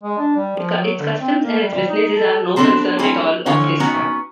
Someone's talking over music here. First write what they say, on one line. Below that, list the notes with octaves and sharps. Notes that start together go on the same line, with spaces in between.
Its customs and its businesses are no concern at all of his.
G#3
D4
G3
F3
F#3
D3
C4
A#3
G3
G3
D#4
A4
B3 C4 D4 A4 C5
G3 A3 C4 E4 G#4
D3 E3 F3 C#5
B3 C#4 D#4 F#4